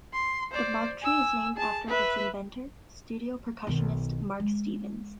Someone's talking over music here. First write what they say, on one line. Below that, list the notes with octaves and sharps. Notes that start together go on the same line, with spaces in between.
The mark tree is named after its inventor, studio percussionist Mark Stevens.
C6
C5 D5
G#5 E6
G#4 A5
B4 E5
B1 D#3
G#3